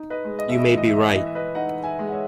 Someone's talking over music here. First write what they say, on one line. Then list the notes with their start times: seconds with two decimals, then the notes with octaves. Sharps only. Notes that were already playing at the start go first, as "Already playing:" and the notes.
You may be right.
Already playing: D#4
0.10 B4 D#5
0.25 G#3
0.39 D#5
0.49 E5
0.58 D#5
0.67 E3 E5
0.78 D#5
0.87 E5
0.96 D#5
1.06 E5
1.11 E3 D#5
1.26 E5
1.35 B4 D#5
1.55 D#4 D#5 F#5
1.83 E5 G#5
1.99 G#3
2.07 F#5
2.12 C#5 E5